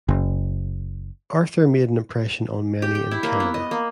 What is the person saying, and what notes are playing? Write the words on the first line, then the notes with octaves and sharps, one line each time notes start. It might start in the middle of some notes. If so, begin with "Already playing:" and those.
Arthur made an impression on many in Canada.
F#1
G4
G5
E4
A#3
B3
D#5
A#3